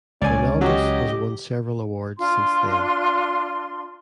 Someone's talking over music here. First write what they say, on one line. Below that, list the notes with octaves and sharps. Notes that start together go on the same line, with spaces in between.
Ronaldus has won several awards since then.
C#2 C#4 D5 G#5
F#3 G4 D#5
D4 F4 C6